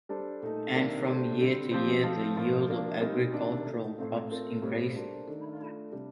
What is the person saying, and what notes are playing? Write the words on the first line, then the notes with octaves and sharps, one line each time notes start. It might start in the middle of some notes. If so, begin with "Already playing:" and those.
And from year to year the yield of agricultural crops increased.
G3 D4 A4 C5
A#2 A3 D#4 A4
C3 D#3 G3 A#3 D4
A3 D4 G4 C5
D3 G3 C4
F3 C4 G4 C5
F3 A3 C4 F4 A4
A2 F3 A#3 F4 C5
F3 A#3 D4
A#2 G3 C4 D#4 A#4
C3 D#3 A#3 D4
A3 D#4 A4
A2 A3 C4 F4
A3 C4 F4 A#4
A2 G3 C4 F4 C5
G3 A#3 D4 A4 C5
D#3 A3 D4 A4
A3 D4 F4
C3 G3 D4